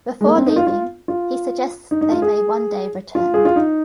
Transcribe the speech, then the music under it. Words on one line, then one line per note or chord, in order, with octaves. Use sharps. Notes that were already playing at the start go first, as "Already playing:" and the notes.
Before leaving, he suggests they may one day return.
G#3
A#3
C4
D#4
F4
F4
F4
D#4
D#4
F4
G#4
F4
G#4
F4
D#4